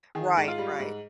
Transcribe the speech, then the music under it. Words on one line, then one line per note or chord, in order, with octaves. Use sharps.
Right, right.
D#3 G#4
G#2
F4
G3
G#2